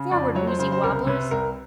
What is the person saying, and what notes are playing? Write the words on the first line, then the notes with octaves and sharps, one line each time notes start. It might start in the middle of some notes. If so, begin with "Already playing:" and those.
Forward, woozy wobblers!
Already playing: C#3
F2 D5
F#3 C#5
C5
C#3 C5
C5
C2 A#4
C3 B4
C2 A#4